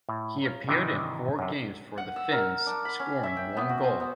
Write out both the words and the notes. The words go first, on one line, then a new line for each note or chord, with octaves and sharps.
He appeared in four games for the Finns, scoring one goal.
A2
F4 C#5 A#5
G#2 C3 D#3 E3 D4 D#4
F#2 C3
F#5
E6
A#4
D4
B5
C#4
E5
G5
B3
F#4
C5
B3